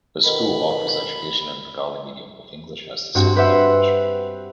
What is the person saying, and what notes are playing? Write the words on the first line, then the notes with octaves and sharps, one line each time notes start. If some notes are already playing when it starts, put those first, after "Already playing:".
The school offers education in Bengali medium with English as the second language.
F2 B2 D#3 B5
G2 C4 F#4 F#5
G4 B4 C5 E5 F#5